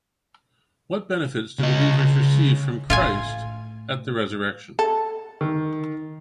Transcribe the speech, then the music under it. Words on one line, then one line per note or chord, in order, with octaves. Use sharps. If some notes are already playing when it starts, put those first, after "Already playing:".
What benefits do believers receive from Christ at the resurrection?
C#3 D#5
A2 F4 F5 G#5
A4
D#3